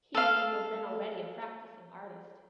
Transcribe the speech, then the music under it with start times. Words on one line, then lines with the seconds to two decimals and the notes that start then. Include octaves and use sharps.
He was then already a practising artist.
0.15 A4 F5